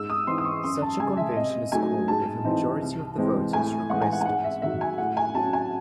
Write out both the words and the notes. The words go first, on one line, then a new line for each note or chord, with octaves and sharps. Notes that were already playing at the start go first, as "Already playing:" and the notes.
Such a convention is called if a majority of the voters request it.
Already playing: G#2 E6
D#6
E3 C4 D#4 C6
D#6
C#6
F#2 C6
A5
C#3 G#3 G#5
E5
C3 D#5
F#3 A3 D#4 G#5
G#2 A5
E3 C4 D#4
C2
C3 E3 G#3 C4
A2 G#5
E3 G#3 F#5
G#5
F#5
G#5
G#2 F#5
E5
D#3 F#3 E5
G#5
A2 F#5
G#5
F#3 C#4 A5
G#5